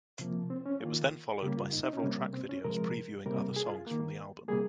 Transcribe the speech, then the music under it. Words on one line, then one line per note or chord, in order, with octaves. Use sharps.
It was then followed by several track videos previewing other songs from the album.
C3 F3 A#3
C4
C#4
D#3 A#3 F4
C#3 G3 A#3 G4
F4
D#4
D#4
C#4
C3 G3 A#3
C4
C#4
C3 F3 G#3 A#4
C3 G3 A#3 A#4
G#4
F4
D#3 A#3
C3 G3 A#3 G#4